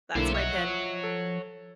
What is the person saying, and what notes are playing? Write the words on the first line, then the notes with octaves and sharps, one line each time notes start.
That's my pin."
B1 D3 A#3 E4 C5 E5
C#5 D#5 E5 F#5
F3
A4